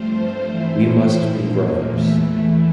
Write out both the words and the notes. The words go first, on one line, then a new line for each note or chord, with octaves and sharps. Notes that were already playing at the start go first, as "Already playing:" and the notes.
We must be brothers.
Already playing: G2 F3 A3 C4 F4 C5
E3 A3 E4
A#2 F3 A#3
E2 E3 A3 E4